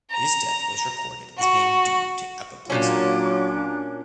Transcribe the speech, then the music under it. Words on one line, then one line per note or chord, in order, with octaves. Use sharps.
His death was recorded as being due to apoplexy.
A#5
F#4
A#2 C#3 F#3 C#4 D4 F4 D6